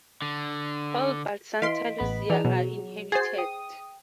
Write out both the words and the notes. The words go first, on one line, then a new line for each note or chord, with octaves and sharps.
All but Santa Luzia are inhabited.
D3
E3 D#5 F5 C6 B6 D7
A1 B3 B5
E3 D4 D#4 G#4 F7
B2 F#3
F#4 G#4 C5 G#6 A6 C7
G5 D#6